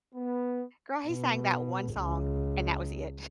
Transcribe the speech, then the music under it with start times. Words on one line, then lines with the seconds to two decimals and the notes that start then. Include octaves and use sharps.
Girl, he sang that one song, and that was it.
0.15 B3
1.08 B2
1.95 C#2